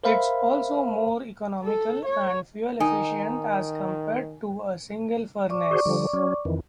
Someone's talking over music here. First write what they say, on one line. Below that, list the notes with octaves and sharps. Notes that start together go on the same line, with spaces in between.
It's also more economical and fuel efficient as compared to a single furnace.
A#4 C5 E5 F5 B5
A4
C#5
D#3 D#4 G#5
D5 C#6 D6
F#4 G#4 C5
D3 F3 G3
F#3 C#4
F2 D#3 E3